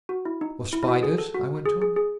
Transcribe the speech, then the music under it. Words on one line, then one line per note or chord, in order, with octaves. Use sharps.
"Or spiders?" I went on.
F#4
E4
D#4
E4
E4
F#4
G#4
A4
F#4
G#4
G#4
G#4